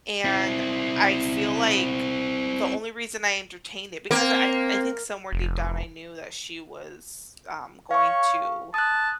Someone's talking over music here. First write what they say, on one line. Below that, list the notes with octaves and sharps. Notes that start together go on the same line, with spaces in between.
And I feel like the only reason I entertained it because I I think somewhere deep down, I knew that she was, um, going to
C4 E4
A#3 C4
F1
C#5 F5 C#6
A5 D#6 F#6